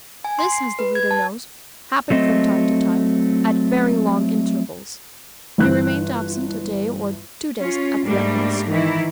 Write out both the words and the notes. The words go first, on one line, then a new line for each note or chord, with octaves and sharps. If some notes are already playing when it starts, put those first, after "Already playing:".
This, as the reader knows, happened from time to time, at very long intervals. He remained absent a day or two days at the utmost.
G#5
C6
C7
B4
G#6
A5
F#3 A3 C4 D#5
G1 E3 F#6
C#4 F4
G#2 G3 A3 A#3 D4
D#3 E3 D#4 E4